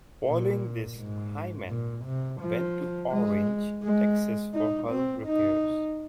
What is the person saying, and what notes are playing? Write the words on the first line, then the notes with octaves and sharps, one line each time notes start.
Following this, "Hyman" went to Orange, Texas, for hull repairs.
A#2
G#2
A#2
C3
F3
G#3
G#3
D#4
C4
D#4